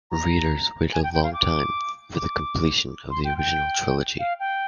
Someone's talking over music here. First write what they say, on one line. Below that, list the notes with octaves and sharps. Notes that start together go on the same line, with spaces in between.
Readers waited a long time for the completion of the original trilogy.
A#5
G#5
G5
G5
F5
D6
D6
C6
G5
G5
F5
G5